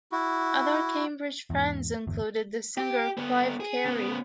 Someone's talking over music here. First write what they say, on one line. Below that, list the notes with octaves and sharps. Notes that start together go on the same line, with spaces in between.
Other Cambridge friends included the singer Clive Carey.
E4 F#4
E2 G#2
G1 E2
G4
G2 B3
G#4
C#3 B3